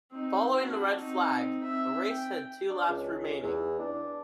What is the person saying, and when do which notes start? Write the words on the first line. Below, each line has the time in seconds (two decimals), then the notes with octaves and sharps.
Following the red flag the race had two laps remaining.
0.11 C4 D#4
0.53 D4 F#4
1.00 C4 D#4
1.64 C4 E5
2.09 G5
2.70 D4
2.88 C#2
3.43 E2
3.79 D4